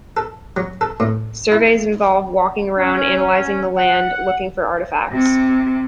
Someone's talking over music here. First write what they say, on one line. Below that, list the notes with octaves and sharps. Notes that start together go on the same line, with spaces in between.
Surveys involve walking around analyzing the land looking for artifacts.
A4
F#3
A4
A2
E4
C#4
F#5
C3